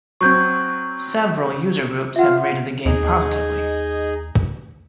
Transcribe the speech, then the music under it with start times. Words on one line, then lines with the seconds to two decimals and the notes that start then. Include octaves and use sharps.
Several user groups have rated the game positively.
0.21 F#3 C4 C#6 G6 G#6
2.16 F4 E5 F#5
2.85 D#2 D#4 G#4 D#5